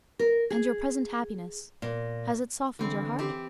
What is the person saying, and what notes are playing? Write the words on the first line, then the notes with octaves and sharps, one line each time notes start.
"And your present happiness, has it softened your heart?"
A#4
G#4
A#2
D3 E3 C4
C4 G4